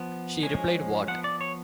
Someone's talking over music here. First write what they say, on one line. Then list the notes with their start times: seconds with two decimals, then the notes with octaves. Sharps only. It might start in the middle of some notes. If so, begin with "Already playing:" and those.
She replied: What!
Already playing: F3 B3
0.43 F3 G#3 C#4 G#5
1.08 F3 B3 F#5
1.24 D5
1.41 C#5